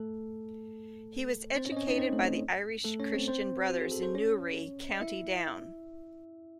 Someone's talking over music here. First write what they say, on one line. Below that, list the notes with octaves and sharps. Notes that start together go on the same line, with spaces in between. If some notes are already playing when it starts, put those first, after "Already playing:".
He was educated by the Irish Christian Brothers in Newry, County Down.
Already playing: A3 A4
C4 C5
C#4 C#5
D#5
C#4 C#5
D#4 D#5
C4 C5
A3 A4
A3 A4
C#4 C#5
C4 C5
C4 C5
F#4
G#4
A4
C5
C#4 C#5
D#5
E4 E5